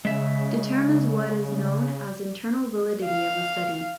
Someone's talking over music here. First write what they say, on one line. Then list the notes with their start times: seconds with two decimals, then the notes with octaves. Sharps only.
Determines what is known as internal validity of the study.
0.05 C#3 G#3 E5
3.05 F5